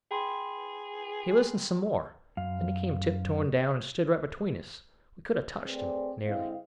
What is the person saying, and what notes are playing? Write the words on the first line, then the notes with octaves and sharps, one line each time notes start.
He listened some more; then he come tiptoeing down and stood right between us; we could a touched him, nearly.
G#4 G5 B5 C6
F#2 F5
A3 C4 G#4 B4 D5
D3 G#3 C4 E4 F5